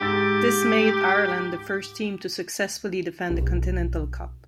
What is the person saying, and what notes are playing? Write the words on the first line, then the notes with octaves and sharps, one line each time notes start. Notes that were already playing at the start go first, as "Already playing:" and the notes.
This made Ireland the first team to successfully defend the Continental Cup.
G#2 G4 E6 A6
B1